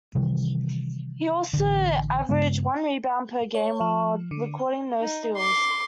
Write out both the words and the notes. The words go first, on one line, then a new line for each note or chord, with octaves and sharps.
He also averaged one rebound per game while recording no steals.
C3 D#3 E3 G3
A1 D3
G2 C#3 G#3 B3
C#5
F3
D3
D#4
C6 D6